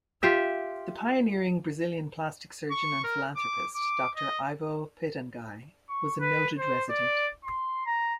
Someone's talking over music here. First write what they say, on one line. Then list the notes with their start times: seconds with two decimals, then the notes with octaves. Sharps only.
The pioneering Brazilian plastic surgeon and philanthropist Doctor Ivo Pitanguy was a noted resident.
0.23 F4 G4 E5
2.71 C#6
3.04 A#4
3.36 D6
3.75 D6
4.16 D#5
5.89 C#6
6.20 B4
6.58 C5
6.90 D5
7.44 C6
7.86 A#5